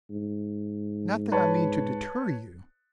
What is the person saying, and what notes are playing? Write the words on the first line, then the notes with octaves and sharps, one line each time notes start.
Not that I mean to deter you.
G#2
B4 C#5 A5